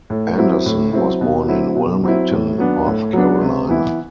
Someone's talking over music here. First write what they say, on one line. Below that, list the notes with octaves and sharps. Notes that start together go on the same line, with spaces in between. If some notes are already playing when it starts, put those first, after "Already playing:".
Anderson was born in Wilmington, North Carolina.
A2
F#3 C4 E4
A2
F#3 C4 E4
B2
F#3 C4 E4
B2
F#3 C4 E4
A2
F#3 B3 D4
A2
F#3 B3 D4
C3
E3 B3 E4